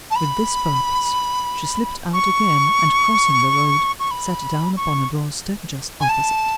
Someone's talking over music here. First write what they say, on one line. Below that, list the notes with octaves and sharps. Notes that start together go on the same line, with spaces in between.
With this purpose she slipped out again, and crossing the road, sat down upon a door-step just opposite.
A5
B5
C#6
C#6
B5
C#6
G#5
A5